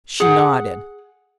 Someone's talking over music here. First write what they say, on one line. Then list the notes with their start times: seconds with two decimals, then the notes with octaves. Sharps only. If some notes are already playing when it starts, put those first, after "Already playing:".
She nodded.
0.20 G#4 F#5